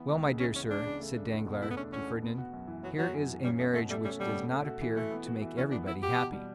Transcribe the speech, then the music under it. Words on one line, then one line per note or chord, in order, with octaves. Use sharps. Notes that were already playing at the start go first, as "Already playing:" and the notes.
"Well, my dear sir," said Danglars to Fernand, "here is a marriage which does not appear to make everybody happy."
Already playing: E3 B3
C#2
C#3
E3 C#4
B3 C#4
C#2 D4
C#3
A3
D4
E2
B2
A3 E4
B3
C#4 D4
E2 C#4
B2
B3
F#4
F#2
E3
F#3 B3
F#3 F#4
F#2
E3
G3 C#4
B2 A3
B2 A3
G3 A3
G3 C#4
B2 G3
B2
A3
F#4
E3
E3 A3
B3
F#4
E3
E3 C#4
B3 D4
B3 E4
F#4 G4
B2
G3